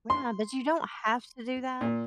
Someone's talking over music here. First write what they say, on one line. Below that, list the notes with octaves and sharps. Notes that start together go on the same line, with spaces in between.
Yeah, but you don't have to do that.
C6
A#2